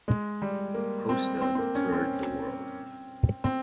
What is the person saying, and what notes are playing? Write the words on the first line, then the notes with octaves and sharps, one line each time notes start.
Costa toured the world.
G#3
G3
A#3
C4
C4
C4
A#3
C#4
C4
C4